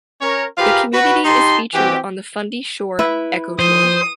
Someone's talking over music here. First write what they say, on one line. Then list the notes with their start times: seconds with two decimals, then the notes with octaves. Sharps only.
The community is featured on the Fundy Shore Ecotour.
0.22 C#4 A#4 C#5
0.58 F4 G4 G#4 A#4 B4 F5
0.93 F#4 B4
1.25 D#4 G4 A5 C6
1.74 E3 C4 F#4 G4
2.99 E4 B4
3.59 F3 C5 D#6